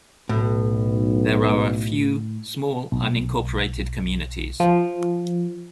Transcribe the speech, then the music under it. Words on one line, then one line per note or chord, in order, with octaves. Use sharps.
There are a few small unincorporated communities.
B1 A2
B1
F3